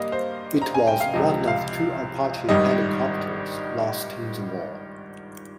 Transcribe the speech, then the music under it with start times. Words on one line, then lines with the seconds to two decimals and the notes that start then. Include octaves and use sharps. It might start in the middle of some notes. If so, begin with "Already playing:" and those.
It was one of two Apache helicopters lost in the war.
Already playing: G2 G3 A#3 D#5 F5
0.12 C5
0.62 A#5
0.74 G#5
0.87 G5
1.00 F5
1.13 C#2 C3 F3 D#5
1.48 F5
2.49 G#1 G2 D#3 G3 D#5